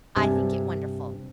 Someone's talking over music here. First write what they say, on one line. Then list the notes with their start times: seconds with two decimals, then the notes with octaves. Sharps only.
I think it wonderful.
0.16 G2 C3 G#5 A5